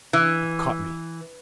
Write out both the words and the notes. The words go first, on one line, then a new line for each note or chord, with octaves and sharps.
It caught me.
E3